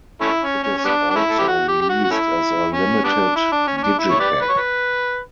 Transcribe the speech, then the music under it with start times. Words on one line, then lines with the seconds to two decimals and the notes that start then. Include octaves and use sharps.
It is also released as a limited digipak.
0.21 A3 C#4 E4
0.43 C#4
0.63 C#4
0.77 C#4
0.85 G3 B3 D4
1.11 D4
1.16 A3 C#4 E4
1.29 A4
1.38 G4
1.48 F#4
1.68 G4
1.81 G4
1.89 F#4
2.04 F#4
2.11 A3 C#4 E4
2.73 C#4
3.04 G3 B3 D4
3.36 E4
3.52 D4
3.67 C#4
3.77 C#4
3.83 D4
3.99 E4
4.11 C#5
4.20 G4 B4 D5
4.41 B4
4.49 C#5
4.57 B4